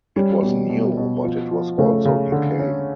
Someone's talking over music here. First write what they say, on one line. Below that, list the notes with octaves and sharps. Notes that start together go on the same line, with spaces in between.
It was new, but it was also decaying.
G3 C#4
B2
B2
B2
F3
F3
C#3 A3
C#3
D3
C#4